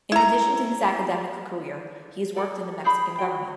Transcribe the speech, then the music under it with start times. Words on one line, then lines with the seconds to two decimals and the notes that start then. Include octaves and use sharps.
In addition to his academic career, he has worked in the Mexican government.
0.12 E4 A#5
2.36 A4 D5
2.84 G4 G#4 A5 B5
3.18 F#4 G5